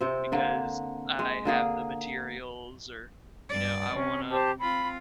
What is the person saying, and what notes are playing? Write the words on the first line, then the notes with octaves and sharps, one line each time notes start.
because I have the materials or, you know, I wanna
C3 C4
D3 A#3 D4
G#3
D3 A#3 G#4
G2 D5
C3 C#4
G4 C5 A5
C4 F4 B5